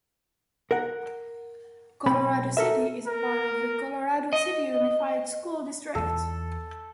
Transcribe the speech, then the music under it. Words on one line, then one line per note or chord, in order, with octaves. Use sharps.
Colorado City is a part of the Colorado City Unified School District.
A#4 F#5
B1 C4 B5
A4 A#4 E5
A#4
D#5
E2 F4 A4